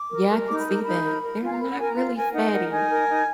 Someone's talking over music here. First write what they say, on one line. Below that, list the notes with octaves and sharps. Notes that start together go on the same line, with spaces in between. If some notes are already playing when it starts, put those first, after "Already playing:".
Yeah, I could see that, they're not really fatty.
Already playing: D6
A#4
A#4
D#4 D6
B5
A#4 A#5
D#4 B5
A#4
A#4
F4 G#5
A#5
A#4 B5
F#5
A#4 G#5
A#5
F4
A#4 G#5
D#4 F#5
A#4 F#5
D#4 G#5
A#4
D#4